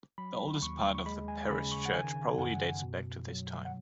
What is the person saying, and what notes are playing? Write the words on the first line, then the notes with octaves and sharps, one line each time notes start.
The oldest part of the parish church probably dates back to this time.
F#3 B5
D#2 C#6
C#6
G#3 B5
G#5
C#3 B5
C#6
F#5
D#3 G#5
F#2 F#5
B2
F#3
F#5